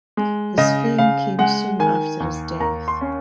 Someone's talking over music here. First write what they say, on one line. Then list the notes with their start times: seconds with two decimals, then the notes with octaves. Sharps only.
His fame came soon after his death.
0.17 G#3
0.58 C#3 D#5
0.98 C#3 F5
1.39 G#3 F#5
1.79 D#3 G#5
2.20 D#2
2.60 D#2 A#5
2.88 C6
3.01 C#4